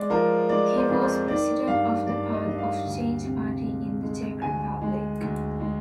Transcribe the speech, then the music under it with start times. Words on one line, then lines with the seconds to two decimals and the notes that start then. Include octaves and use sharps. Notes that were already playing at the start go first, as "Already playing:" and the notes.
He was president of the Path of Change party in the Czech Republic.
Already playing: G#3 D5
0.10 F3 A#4
0.49 G#3 D5
0.76 C5
0.89 F2
1.02 C5
1.27 D#3 D5
1.67 G2 F5
2.07 G2 D5
2.33 D#5
2.46 G2 D#5
2.58 F5
2.85 D2
3.24 C3
3.63 G#3
4.03 G#3
4.42 D2 G#5
4.82 G#3
5.21 D2
5.60 G#3